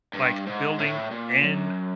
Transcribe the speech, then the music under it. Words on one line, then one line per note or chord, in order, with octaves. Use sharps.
like, building and
G2
G#2
A2
A#2
F#2